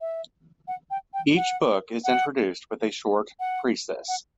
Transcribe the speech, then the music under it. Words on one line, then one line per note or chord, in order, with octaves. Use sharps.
Each book is introduced with a short precis.
E5
F#5
G5
G5
F#5
F#5
F#5
F#5